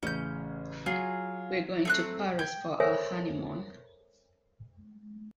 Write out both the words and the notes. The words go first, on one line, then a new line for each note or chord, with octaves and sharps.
We're going to Paris for our honeymoon.
A1 C#3 C#4 G6
F#3 F4 G#4
A3 C4 F#6
G5 G6 G#6
A4 A#4 C5 C#5 E5 G#5